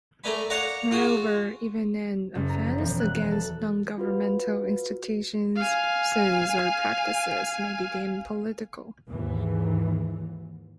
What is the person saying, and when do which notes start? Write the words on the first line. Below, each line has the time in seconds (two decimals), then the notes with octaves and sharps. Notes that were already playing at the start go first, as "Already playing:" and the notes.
Moreover, even an offence against non-governmental institutions, persons, or practices may be deemed political.
0.24 A3 A#4 D5 G#5 B5
0.50 C#5 D5 F5 F#5 A#5 D6
0.91 F4 F#4 G#4
2.35 F#1
2.49 A#5
2.67 F3
2.78 E1
3.00 F#6
3.31 A4
3.98 F4 F#4 B4
5.56 F5 G#5
9.08 D#2 G#2 E3